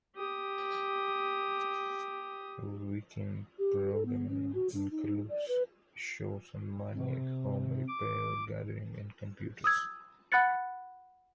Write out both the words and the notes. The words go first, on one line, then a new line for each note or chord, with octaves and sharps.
Weekend programming includes shows on money, home repair, gardening and computers.
G4 D#6
G4
A4
B3
C#4
F#4
D4
D#4
D5
B4
C3
D6
D#6 E6 G#6
F#5 B5 F#6 A6 C#7